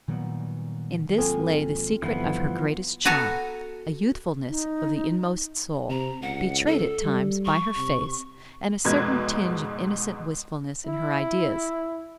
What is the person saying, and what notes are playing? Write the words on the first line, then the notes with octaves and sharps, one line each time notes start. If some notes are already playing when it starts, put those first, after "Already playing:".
In this lay the secret of her greatest charm, a youthfulness of the inmost soul, betrayed at times by her face, and a certain tinge of innocent wistfulness in her ideas.
A#2 D#3 F#3 G3 B3
G#1 F#3 A#3 C4 F4 A4 G#5
G2 D3 E3 F3 G3 B3
B3 F#4 A4 G#5 A#5
D#4
C3 A#5
C#2 F#5
A4
G3
C#6
C3
F1 G#2 B2 G#3 B4 G#6
E4